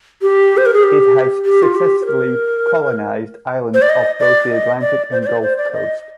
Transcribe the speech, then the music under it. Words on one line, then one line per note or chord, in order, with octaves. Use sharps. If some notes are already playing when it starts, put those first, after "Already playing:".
It has successfully colonized islands off both the Atlantic and Gulf coasts.
G4
C5
A#4
G#4
G4
G4
F4
G4
C5
A#4
C5
D5
D#5
D5
D#5
D5
C5
C5
D5
C5
D5
D#5